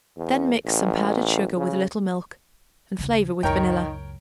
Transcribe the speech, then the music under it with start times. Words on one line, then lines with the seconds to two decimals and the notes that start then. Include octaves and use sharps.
Then mix some powdered sugar with a little milk and flavor with vanilla.
0.17 E2
0.65 A1
1.57 C#3
2.98 D#2 C#3
3.43 C#2 F#2 D#3 A#4 C#5 G5